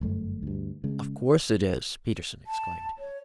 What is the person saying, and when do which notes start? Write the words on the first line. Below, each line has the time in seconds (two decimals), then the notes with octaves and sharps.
"Of course it is," Peterson exclaimed.
0.01 G1 F#2 A3
0.43 D2 G2
0.84 C#3 G#3
2.47 A5
2.98 C#5